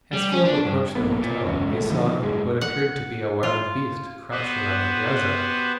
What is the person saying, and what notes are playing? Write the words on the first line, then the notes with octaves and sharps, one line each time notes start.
As Philip approached the hotel he saw what appeared to be a wild beast crouching on the piazza.
G3
C#4
D4
G2
A#1 A#3 B3
A#2
E1 C#2 F#2
G#1 G#2 A3
D3 D#3 F3 B3
F#2 A2 G#3
F#5
F4
B3 F#4 G4 B4 C5